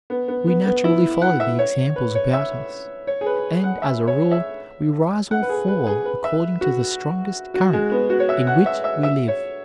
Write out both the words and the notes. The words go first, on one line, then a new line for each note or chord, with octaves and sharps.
We naturally follow the examples about us, and, as a rule, we rise or fall according to the strongest current in which we live.
B3
B3
B3
B3
E4
F#5
E5
C#5
B4
C#5
E5
C#5
G#4
B4
F#5
E5
C#5
E5
F#5
B4
G#4
B4
G#4
B4
E5
F#4
F#4
G#3
B3
F#4
C#5
E5
F#5
E5
E5
E5
C#5